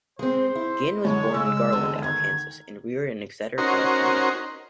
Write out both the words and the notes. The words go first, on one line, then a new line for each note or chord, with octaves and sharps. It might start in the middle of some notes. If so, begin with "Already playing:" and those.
Guinn was born in Garland, Arkansas and reared in Exeter, California.
G#3 C4 C5
E4
F#2 D3 G#3 C#5
C#3 E6
E2 G2 D3
D2 D#3 G#6
C#4 D#4 F#4 A#4 C5